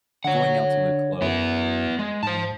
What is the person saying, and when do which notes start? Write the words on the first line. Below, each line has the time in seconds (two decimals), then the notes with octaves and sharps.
Going out to the club
0.25 D3 C#5 F#5
1.22 F#2 B3 E4
1.99 G#3
2.23 G#2 C5 A5